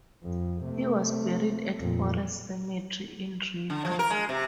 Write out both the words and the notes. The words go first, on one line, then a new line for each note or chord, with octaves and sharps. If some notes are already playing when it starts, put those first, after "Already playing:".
He was buried at Forest Cemetery in Riga.
F2
C3 A3
F2 A#2
D3
F3
A#4
G#3
C3